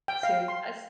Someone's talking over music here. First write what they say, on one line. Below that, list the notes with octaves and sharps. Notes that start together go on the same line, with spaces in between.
soon, I s
G5
F5
C6